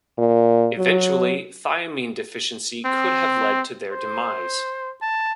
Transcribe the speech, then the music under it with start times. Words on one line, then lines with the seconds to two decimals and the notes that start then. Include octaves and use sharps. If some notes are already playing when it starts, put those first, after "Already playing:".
Eventually thiamine deficiency could have led to their demise.
0.19 A#2
0.79 F#3
2.85 C4
3.92 C5
5.02 A5